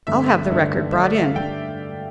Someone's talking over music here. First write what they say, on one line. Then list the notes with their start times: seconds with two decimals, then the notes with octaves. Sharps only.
"I'll have the record brought in."
0.07 G2 D3 A3 E5
0.50 G2 D3 A3
0.92 G2 D3 A3 E5
1.04 D5
1.15 E5
1.24 F5
1.36 G2 D3 A3 G5